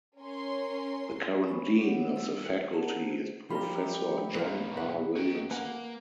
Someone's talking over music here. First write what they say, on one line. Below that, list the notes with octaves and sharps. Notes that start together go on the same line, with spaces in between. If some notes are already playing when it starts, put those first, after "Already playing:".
The current Dean of the Faculty is Professor John R. Williamson.
C#4 A#4 C#5 C6
C5 C#5 G#5 B5 C#6
B3 D4 G4 C#5 F#5
G3 A4 E6
B4 C5
G#4 A#4 D5 F#5 A5 A#5
C5
F3 G3 G4 A#5 B5
B1 A#2 B4 F5
D#4 B4
F#4 G5
A#3 B4 F#5 G#5